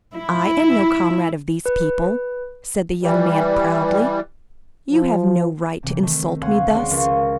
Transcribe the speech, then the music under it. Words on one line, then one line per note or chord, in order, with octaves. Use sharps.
"I am no comrade of these people," said the young man, proudly, "you have no right to insult me thus."
E4
B4
E3 G3
F3
C3 E3
D#3 A3
D2 C#5 F5 F#5 G#5 C6
G#3 C#4 F#4 G#4 C5 D5
C#2 F3 A#4 F5 C6 C#6